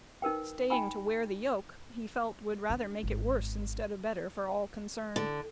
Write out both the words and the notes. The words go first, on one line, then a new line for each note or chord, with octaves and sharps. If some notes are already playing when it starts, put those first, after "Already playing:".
Staying to wear the yoke, he felt would rather make it worse instead of better for all concerned.
D#4 A#4 B4 G5
D#4 G5 G#5 B5
D4
G#1
D3